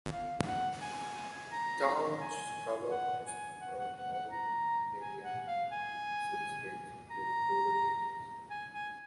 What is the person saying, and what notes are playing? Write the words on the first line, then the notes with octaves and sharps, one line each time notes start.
Towns cover most or all land area in all six states, including rural areas.
F5
F#5
G#5
A#5
G#5
F#5
G#5
F#5
F#5
F#5
F#5
A#5
G#5
F#5
F5
G#5
A#5
G#5
G#5